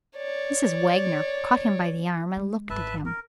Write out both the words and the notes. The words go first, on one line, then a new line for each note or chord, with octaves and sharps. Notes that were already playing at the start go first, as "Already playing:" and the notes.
Mrs. Wagner caught him by the arm, and looked at him.
C#5 D5
G#3
G#1 G2 B4 E5 A5
A#4